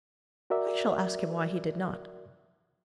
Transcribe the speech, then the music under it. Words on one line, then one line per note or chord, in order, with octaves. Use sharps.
I shall ask him why he did not.
F#4 A#4 D5 E5